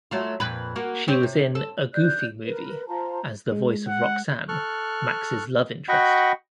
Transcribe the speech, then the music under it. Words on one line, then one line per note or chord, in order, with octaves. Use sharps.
She was in "A Goofy Movie" as the voice of Roxanne, Max's love interest.
F#3 A3 F4
F2 A#2 B4
A#3 F#4
C4 G4 C#5
C3
A4
D5 F#6 G6
A#4 B4
F4 C5 A5 A#5
G#3
F#5
A4 C#6 F6 F#6
F#4 D#5 F#5 G5 B5 C#6